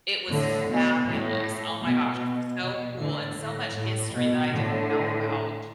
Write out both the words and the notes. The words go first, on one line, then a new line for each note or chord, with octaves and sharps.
It was fabulous, oh my gosh, so cool, and so much history that I didn't know about
A2 D3
B2
A2
B2
B2
A2 D3
A2
A2
B2
A2 D3